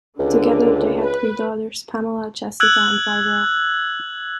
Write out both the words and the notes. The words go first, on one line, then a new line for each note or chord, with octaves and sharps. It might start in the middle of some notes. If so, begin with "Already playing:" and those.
Together they had three daughters, Pamela, Jessica and Barbara.
C#2 D3
B4
E6 F#6 G#6 F#7